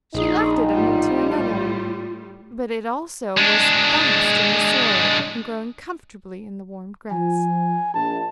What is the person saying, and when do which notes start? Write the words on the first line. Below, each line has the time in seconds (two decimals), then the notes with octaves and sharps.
She left it, and went to another; but it also was fast in the soil, and growing comfortably in the warm grass.
0.14 A#1 D#4 G#4
0.73 A2 G3 F4
3.37 G#3 D4
7.11 F3 G#5
7.94 A#1 A5